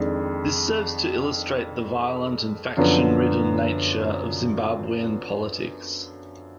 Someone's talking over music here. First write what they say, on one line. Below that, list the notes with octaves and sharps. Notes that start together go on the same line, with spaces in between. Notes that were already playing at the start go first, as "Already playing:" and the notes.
This serves to illustrate the violent and faction ridden nature of Zimbabwean politics.
Already playing: F2 D#3 G#3 D4
F#2 D3 F3 B3